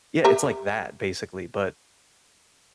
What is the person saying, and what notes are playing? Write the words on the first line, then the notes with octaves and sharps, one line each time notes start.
Yeah, it's like that, basically, but
G4 E5 A#5